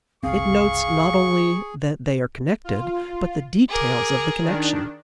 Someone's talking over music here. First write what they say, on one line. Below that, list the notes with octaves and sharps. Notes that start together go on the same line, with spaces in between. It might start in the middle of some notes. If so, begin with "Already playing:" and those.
It notes not only that they are connected, but the details of the connection.
F#1 C2 C4 G#4 F5 C#6
F4
G#4 A#4 D6
D#3 D4